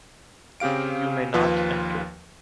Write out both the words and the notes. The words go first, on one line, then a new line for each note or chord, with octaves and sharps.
You may not enter.
C#3 C4 G4 F5 D7
D#2 F3 F4 B4